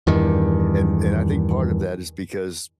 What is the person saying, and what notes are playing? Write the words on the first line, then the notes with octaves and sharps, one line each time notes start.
and and I think part of that is because
E2 G2 D#3